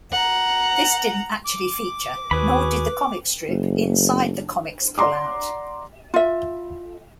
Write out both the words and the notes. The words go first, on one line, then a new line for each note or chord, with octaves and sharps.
This didn't actually feature, nor did the comic strip, inside the Comix pullout.
F#5 A#5
D6
D#2 F#4 G#4 B4 B5
F#1
D5 F#5 A#5 C6 D6
F4 E5